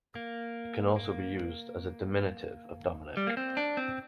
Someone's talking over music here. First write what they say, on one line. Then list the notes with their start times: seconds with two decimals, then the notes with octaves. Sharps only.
It can also be used as a diminutive of Dominic.
0.15 A#3
0.96 A#3
3.17 G3
3.27 A#3
3.37 C4
3.57 D4
3.77 C4